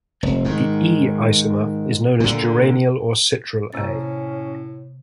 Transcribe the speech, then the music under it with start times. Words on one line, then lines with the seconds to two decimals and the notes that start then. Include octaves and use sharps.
The "E"-isomer is known as geranial or citral A.
0.23 F1
0.45 G#2 D#3
2.20 A#2 D3
3.73 A2 C3 A#3 C#4 A6